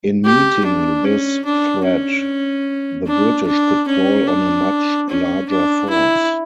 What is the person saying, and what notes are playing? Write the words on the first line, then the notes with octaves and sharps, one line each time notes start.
In meeting this threat, the British could call on a much larger force.
G4
D4
C#4
D4
C#4
D4
D4
C#4
D4
C#4
D4
E4